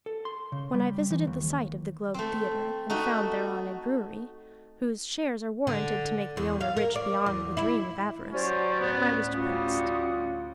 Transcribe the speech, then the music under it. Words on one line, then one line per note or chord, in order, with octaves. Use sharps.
When I visited the site of the Globe Theater and found thereon a brewery, whose shares are warranted to make the owner rich beyond the dream of avarice, I was depressed.
A4
C6
C#3
G3
E3
D#2
A3 C4
A3 D#4 F#4
D3
E2
F5
A#4
D5
E2
E4
F#3 C#4 G4 C5 D5
D2 A2 B3 C#4
G3 F4 F#4 D#6